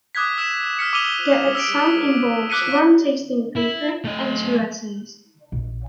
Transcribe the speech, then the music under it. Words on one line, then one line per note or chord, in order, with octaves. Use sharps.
The exam involves one tasting paper and two essays.
D6 D#6 F#6 G#6 B6
E6 B6 E7
F6 B6 C#7
D6 E6 D#7 F7 G7
E6 B6 D7
D6 F#6 B6 C#7 D#7
E4
A3 D#5
A#1